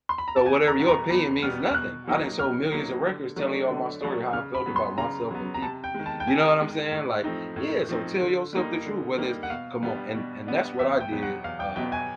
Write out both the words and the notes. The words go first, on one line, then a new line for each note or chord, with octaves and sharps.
So whatever your opinion means nothing, I done sold millions of records telling you all my story, how I felt about myself and people." You know what I'm saying? Like, yeah, so tell yourself the truth, whether it's come on, and and that's what I did, uh,
C6
B5
A#5
A5
E2 G#5
A#5
B2 G3 B3
A#5
E2 B5
B2 G3 B3 F6
F6
B2 F#6
F#3 A#3 D#4
B2 F6
F#3 A#3 D#4
D3
F#3 A3 D4
D3
F#3 A3 D4
C#3 F6
B5
F#3 B3
C6
C#3 A#5
F#3 B3
A#5
C3 A5
G5
D#3 G#3
A5
G5
C3 G#5
D#3 G#3
A2
F3 A3 C4 D#4
A2
F3 A3 C4 D#4
D3
G3 A#3 D#4
D3
G3 A#3 D#4
F#5
B2 F5
G3 B3 D4
B2
G3 B3 D4
E2 E5
G5
B2 F#3 B3
F#5
E2 F5
G5
B2 F#3 B3 G5
G#5